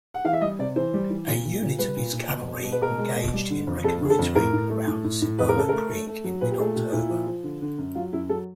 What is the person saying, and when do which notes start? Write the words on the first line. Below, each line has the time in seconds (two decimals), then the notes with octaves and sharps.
A unit of his cavalry engaged in reconnoitering around Cibolo Creek in mid-October.
0.14 F#5
0.25 E3 F5
0.33 E5
0.41 G3 D#5
0.59 C3 D5
0.76 E3 C5
0.94 G3
1.10 E3
1.27 A#2
1.45 A#2
1.62 A#2
1.79 G3 B4
1.97 A#2
2.13 A#2
2.31 B2
2.48 B2
2.64 B2
2.72 B4
2.81 B2 A#4
2.98 G#3
3.16 B2
3.34 G3
3.50 D3
3.67 F2
3.84 F2 A4
4.01 D3 G#4
4.10 A4
4.19 F2
4.35 A2 A#4
4.53 A2
4.70 A3
4.87 A2
5.04 A2
5.22 A2
5.39 F2 B4
5.49 A#4
5.55 C#3 A4
5.69 A3 A#4
5.90 A3
6.07 A3
6.24 F#3
6.41 A#2 B4
6.51 G4
6.58 A3 G#4
6.75 A#2 G4
6.92 A#2 E4
7.09 F3
7.27 F3
7.43 D3
7.61 D3
7.78 F#2
7.95 F#3 F4
8.13 F#2 E4
8.29 F#3 A4